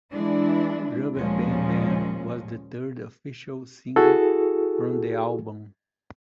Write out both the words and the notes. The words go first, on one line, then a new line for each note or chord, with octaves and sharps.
"Rubber Band Man" was the third official single from the album.
E3 G#3 D4 E4
D#2 A#2 F3 G#3 C#4
E4 F#4 G#4 A4